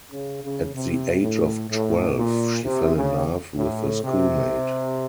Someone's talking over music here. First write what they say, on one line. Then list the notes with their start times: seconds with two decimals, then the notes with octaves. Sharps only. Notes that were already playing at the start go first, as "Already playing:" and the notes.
At the age of twelve she fell in love with a schoolmate.
0.10 C#3
0.43 C#3
0.74 C3
1.20 A2
1.68 A2
2.15 A#2
2.63 C3
2.94 C#3
3.56 A2
4.04 C3